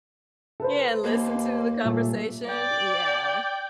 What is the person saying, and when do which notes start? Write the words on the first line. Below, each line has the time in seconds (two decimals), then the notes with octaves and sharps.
Yeah, and listen to the conversation, yeah.
0.60 A4 B4 C5
1.04 D#2 A#3
1.84 A#2 G3 A3
2.49 D5 G5